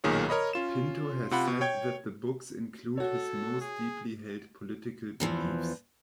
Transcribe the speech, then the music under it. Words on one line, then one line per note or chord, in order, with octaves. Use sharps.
Pinto has said that the books include his most deeply held political beliefs.
B1 A#2 D#3 G#4 C#5
A#4 C#5 D#5 B5
C#4 F4 E7
C3 F4 F#5 B5
B2
C#5 G5 G#6
F#4 A4 C#5
G#4
E2 E3 F3